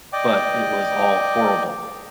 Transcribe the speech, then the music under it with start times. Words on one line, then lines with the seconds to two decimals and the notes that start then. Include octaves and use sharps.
But it was all horrible.
0.13 D5 D#5 G5 D6